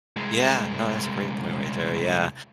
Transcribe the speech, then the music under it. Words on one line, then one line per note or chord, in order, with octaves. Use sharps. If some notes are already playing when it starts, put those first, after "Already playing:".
Yeah. No, that's a great point right there, yeah.
C2 G#3